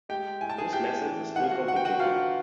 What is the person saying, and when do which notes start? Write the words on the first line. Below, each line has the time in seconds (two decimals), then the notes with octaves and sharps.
This method is still complicated.
0.09 G#3 G4 G5
0.41 A2 G#5
0.50 A5
0.58 G#4 G#5
0.73 A2 G4 G5
1.05 E3
1.36 D#3 F#5
1.44 F5
1.51 F#4 F#5
1.67 G1 F#5
1.76 G5
1.85 F#4 F#5
1.99 G1 F4 F5